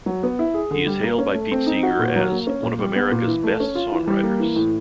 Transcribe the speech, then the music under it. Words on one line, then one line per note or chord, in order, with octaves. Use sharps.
He is hailed by Pete Seeger as "one of America's best songwriters".
F#3
B3
E4
G#4
D3
G3
A#3
C#4
A3
C4
D#4
F#4
A#2
F#3
A#3
C#4
A#2
G3
B3
A#2
E3
A3
C#4
F4
E3
G3
A#3
E3
A2